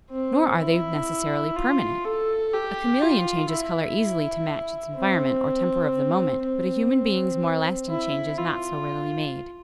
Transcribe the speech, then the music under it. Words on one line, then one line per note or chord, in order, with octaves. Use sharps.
Nor are they necessarily permanent. A chameleon changes color easily to match its environment or temper of the moment, but a human being's more lasting change is not so readily made.
C4
E4
F4
A4
G4
F4
E4
C4
C4
E4
F4